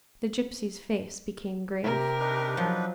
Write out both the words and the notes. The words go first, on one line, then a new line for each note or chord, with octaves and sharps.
The gipsy's face became grave....
C3 G4 A#4
D4 D#4 B4
F3 F#3